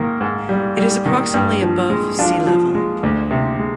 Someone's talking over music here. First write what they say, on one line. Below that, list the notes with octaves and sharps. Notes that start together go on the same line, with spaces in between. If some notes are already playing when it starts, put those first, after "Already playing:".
It is approximately above sea level.
Already playing: G#2 D#3 A#3
G#2
G3
G3
D#3
G2
F3
G#3
F3 D4 F4
F3
G#3
D2
C3
G#3